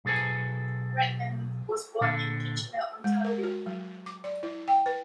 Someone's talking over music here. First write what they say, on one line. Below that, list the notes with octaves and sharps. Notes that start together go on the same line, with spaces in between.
Redman was born in Kitchener, Ontario.
B1 G#4 A4 B4 G#5
A#2 D3 A4
G#3
A#4
F#4
F#3
D6
D5
E4
G5
B4